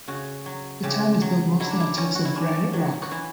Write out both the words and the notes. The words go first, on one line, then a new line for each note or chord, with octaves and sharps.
The town is built mostly on types of granite rock.
C#3 F#4
F#3
C#3 G4
F#3
F#3 E4
D4
E4
C#4
F#4
E4
C#4 D4
F#3
F#4
E3 E4